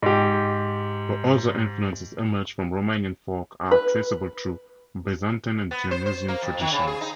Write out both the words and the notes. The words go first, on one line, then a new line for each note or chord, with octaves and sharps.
But other influences emerge from Romanian folk art traceable through Byzantine and Dionysian traditions.
G#2 G4
B4
B3
C5
C5
A#3
F2
D#3
C#3
G#4
D#4